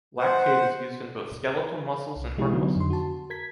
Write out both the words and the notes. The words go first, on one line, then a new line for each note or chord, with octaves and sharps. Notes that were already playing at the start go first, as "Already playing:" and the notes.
Lactate is used in both skeletal muscles and heart muscles.
C5 F#5
C2
C3 F3 G#3 D#4 E4 G4
D3 F#3 B3 D#4 F#4
F2 D3 C6
F#4 A5
A#4 G#6 B6